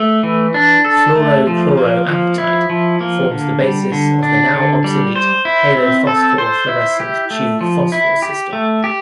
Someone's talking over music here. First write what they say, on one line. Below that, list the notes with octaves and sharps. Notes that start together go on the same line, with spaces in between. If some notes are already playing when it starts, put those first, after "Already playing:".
Fluoro-chloro apatite forms the basis of the now obsolete Halophosphor fluorescent tube phosphor system.
Already playing: A3
E3
D4
A4
A3
F3
A#3
F3
E4
F3
A#3
D3
G3
D3
D4
D3
G3
C5
E4
C4
A4
C5
E4
G4
A3
F3
E4
G4
A3
G4